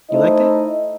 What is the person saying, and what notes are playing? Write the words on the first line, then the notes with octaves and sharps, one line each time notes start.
You liked it?
A3 D#4 E4 C5 D#5